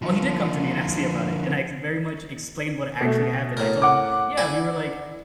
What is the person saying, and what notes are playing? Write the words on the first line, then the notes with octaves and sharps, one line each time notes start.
Oh, he did come to me and asked me about it, and I very much explained what actually happened. I told him, "Yeah, we were like
D3 F3
B2 A3
A2 A#4
F#5 D6
E4 D5 G#5